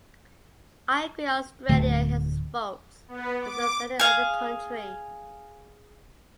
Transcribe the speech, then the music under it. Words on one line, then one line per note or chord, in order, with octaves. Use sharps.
I agree Australia has its faults, as does any other country.
D1 D2 A3
B3
D6
G#4 F5